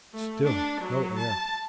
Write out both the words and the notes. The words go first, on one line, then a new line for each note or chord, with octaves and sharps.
Still no air.
A3
D4
F#3
A5